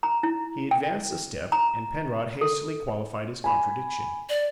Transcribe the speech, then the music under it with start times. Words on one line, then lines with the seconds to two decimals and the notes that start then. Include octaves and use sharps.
He advanced a step and Penrod hastily qualified his contradiction.
0.03 A#5
0.23 E4
0.71 G5
1.52 A#5
2.41 A4
3.44 G#5 B5
4.29 D5